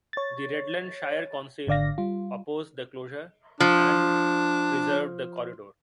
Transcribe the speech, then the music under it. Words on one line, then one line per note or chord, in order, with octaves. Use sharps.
The Redland Shire Council opposed the closure, and preserved the corridor.
C#5 A6
G#1 D3 D5 F5 A#6
G3 F4
F3 D4